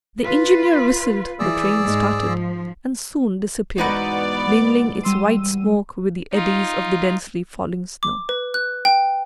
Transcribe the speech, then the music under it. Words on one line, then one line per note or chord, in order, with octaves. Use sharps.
The engineer whistled, the train started, and soon disappeared, mingling its white smoke with the eddies of the densely falling snow.
F4 B4
E3 G#4 D5 E6
G#2 G#3
F3
E2 G#2 B3 D#4 F#4 B4 D5
G3 C6 E6 D#7
D#4 F4
D6
B4
F#6
G5